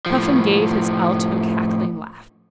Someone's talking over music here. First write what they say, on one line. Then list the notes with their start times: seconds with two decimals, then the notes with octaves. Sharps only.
Puffin gave his alto cackling laugh.
0.06 A2 F3